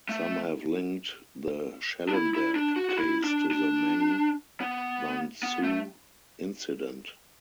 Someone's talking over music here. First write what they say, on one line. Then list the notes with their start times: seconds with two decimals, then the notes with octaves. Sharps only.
Some have linked the Schellenberg case to the Meng Wanzhou incident.
0.09 A3
2.09 D4
2.14 E4
2.35 E4
2.55 D4
2.76 F#4
2.89 F#4
2.97 E4
3.24 D4
3.51 D4
4.61 B3
5.43 B3
5.64 A3